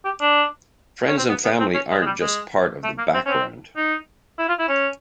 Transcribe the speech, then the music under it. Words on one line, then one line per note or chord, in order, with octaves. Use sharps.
Friends and family aren’t just part of the background.
G4
D4
C#4
C4
B3
B3
C4
C#4
G#3
G#3
G3
G#3
A3
A#3
C4
C#4
C4
D#4
E4
F4
E4
C#4